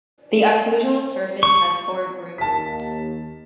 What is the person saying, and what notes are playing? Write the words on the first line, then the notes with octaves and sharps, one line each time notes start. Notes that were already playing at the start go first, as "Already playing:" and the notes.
The occlusal surface has four grooves.
C#6
D#2 A5 B6